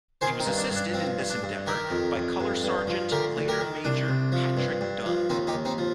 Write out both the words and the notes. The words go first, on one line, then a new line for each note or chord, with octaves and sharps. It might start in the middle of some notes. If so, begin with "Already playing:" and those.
He was assisted in this endeavor by Color Sergeant, later Major Patrick Dunne.
D#3 G#4 C5
C4 D#4
G2
D4
G2
D4
F3 C4
G2
D4
G2
D#3 G4 A#4
F2
F2
G2
G2
F3
D2 G4 A#4
D2
G4 A#4
D#3
C2 D4
C2
F3
G2
G2
F3
D#2 C4 D#4
D#4 G4
D#2
C4 D#4
F3